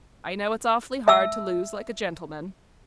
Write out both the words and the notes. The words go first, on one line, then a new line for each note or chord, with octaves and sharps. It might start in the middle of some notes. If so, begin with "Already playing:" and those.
"I know it's awfully hard to lose like a gentleman."
E5 A5 E6